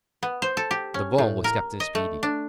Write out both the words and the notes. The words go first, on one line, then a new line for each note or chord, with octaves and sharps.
The bomb was Captain Speedy.
B3
C5
A4
G4
C#4
A2
A#4
D#5
A3
D4